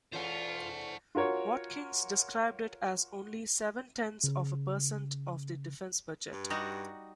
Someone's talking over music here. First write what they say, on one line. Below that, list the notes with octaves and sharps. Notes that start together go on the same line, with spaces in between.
Watkins described it as only seven-tenths of a percent of the defense budget.
E2 A3 C#4 F4 C5 F#5
F4 F#4 A#4 C#5
C#3
G2
G3 D#4 F#4